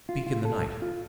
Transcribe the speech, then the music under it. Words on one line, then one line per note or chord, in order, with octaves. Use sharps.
Speak in the night.
F4
F4
A4
F4